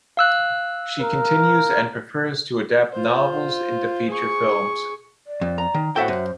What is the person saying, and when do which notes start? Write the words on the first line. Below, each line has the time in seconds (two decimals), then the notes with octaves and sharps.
She continues and prefers to adapt novels into feature films.
0.17 F5 E6 F#6
1.01 A#4
2.92 F4 C5
4.09 G#4 C#6
5.27 D5
5.41 F2
5.58 A#5
5.74 D#3
5.96 A2 F#4 A4 C5 E5 F#5 G5
6.08 F#2